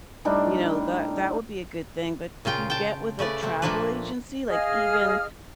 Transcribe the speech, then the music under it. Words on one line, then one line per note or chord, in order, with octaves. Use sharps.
you know, that that would be a good thing, but if you get with a travel agency, like even
A2 G3 D4 D#4
A#2 C#3 F4 G5
G5 A5
C#3 A3 B4 D5
C3 A3 C4
A#2 F3 A3 A#3 D4 B4
G#4 D#5 F5 F6